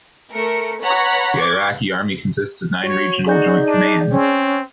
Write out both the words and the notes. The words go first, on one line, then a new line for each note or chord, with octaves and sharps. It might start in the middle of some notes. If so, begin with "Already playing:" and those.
The Iraqi Army consists of nine regional joint commands.
A3 A#4 C#7
B4 C#5 F#5 A#5 B5
C#6 D6 G#6
F#4 C#5
D#4 F#4 G#4 D5 G6
D4
C4 C#4